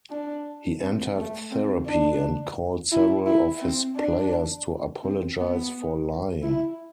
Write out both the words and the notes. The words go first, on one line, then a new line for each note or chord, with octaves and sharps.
He entered therapy, and called several of his players to apologize for lying.
D4
C4
A3
C4
D4
E4
E4
C4
D4
C4
B3
E4